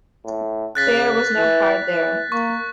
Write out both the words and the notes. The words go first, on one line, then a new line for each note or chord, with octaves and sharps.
There was no pride there...
A2
C#3 F#6 A6 B6
E3
E3
A#3 C#6